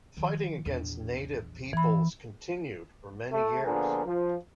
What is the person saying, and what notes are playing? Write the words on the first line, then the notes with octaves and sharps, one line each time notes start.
Fighting against native peoples continued for many years.
D#3 F3
A#1 E2
A#2 E3 B5
A3
A#2 D3 F3 B3 G#4 A#4
F3